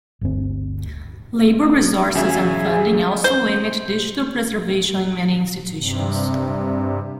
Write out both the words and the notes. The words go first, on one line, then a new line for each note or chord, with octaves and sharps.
Labour resources and funding also limit digital preservation in many institutions.
G1 D2 C4
E2 C#3 F#4 E5 G#5
G#4
C5 G6
G2 C3